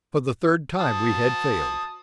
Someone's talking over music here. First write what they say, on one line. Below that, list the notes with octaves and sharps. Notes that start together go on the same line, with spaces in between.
For the third time we had failed.
A5 D#6